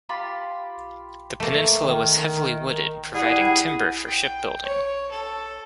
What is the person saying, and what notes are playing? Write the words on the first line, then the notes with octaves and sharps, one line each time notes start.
The peninsula was heavily wooded, providing timber for shipbuilding.
F4 G4 B5 C6
A3 A#3
D#3
G3 E4 G#4 F#5
G5
C#5
A4